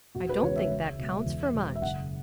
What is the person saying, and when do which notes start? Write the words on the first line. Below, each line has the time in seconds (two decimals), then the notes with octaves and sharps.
I don't think that counts for much.
0.15 E1 F#4
0.29 B4
0.43 E2 C#3 G#3 C#4 C#5
0.56 E5
0.71 C#2
0.98 B2 G#3
1.26 E2
1.54 B2 G#3
1.76 E5
1.82 F#1 F#5